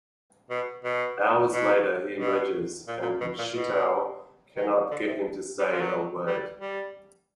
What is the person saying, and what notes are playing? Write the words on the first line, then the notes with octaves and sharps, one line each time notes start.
Hours later he emerges, and Shitou cannot get him to say a word.
B2
B2
B2
B2
A#2
A#2
B2
A#2
B2
D#3
D3
C3
G3
F#3
F3
F#3
G3
G3